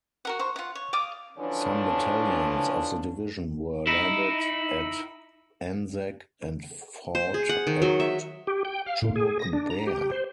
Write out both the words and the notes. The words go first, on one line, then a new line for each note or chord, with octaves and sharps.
Some battalions of the division were landed at Anzac and fought at Chunuk Bair.
F#4 A#4 F#5
C5 C#6
F4 F#5
C#5
D5 F5 D6 D#6
D3 E3 F3 C#4 D4
D#4 E4
C5
G#4
F#5
D#3
F#3
E5
G4
G5
F5
A2
G#4
A#6
D4
A#5
G4
C5